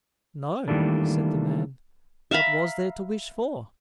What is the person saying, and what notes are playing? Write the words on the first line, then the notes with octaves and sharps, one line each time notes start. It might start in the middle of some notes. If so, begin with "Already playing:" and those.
"No," said the man; "what was there to wish for?"
D#3 E3 G3 A3 A#3 D4
E5 F5 A#5 B5